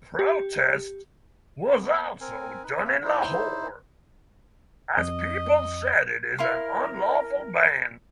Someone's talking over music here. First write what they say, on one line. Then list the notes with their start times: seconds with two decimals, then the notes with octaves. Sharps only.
Protest was also done in Lahore as people said it is an unlawful ban.
0.19 G4
1.81 B3
2.21 C4 A#4 G#5
2.63 D#4 B4
2.84 A#3 B3 C#4 E5
3.03 D#4 E4 C5
4.97 F2 D#5
6.38 E4 A#4 F5 C6